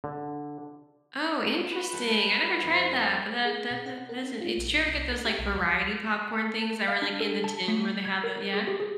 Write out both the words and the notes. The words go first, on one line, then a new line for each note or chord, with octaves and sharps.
Oh, interesting, I never tried that, but that that th that's it's did you ever get those, like, variety popcorn things that were, like, in the tin where they have the yeah.
D3
B4
G3 A4
F2 C4
A3 C6
G#4
B2
F#5
A#4
C#4
F4
A#1
C2
A4
G4
B1
D2
F5
D4
A4
A5
A3
G6
G#6
A#4
G#4
G4
G#4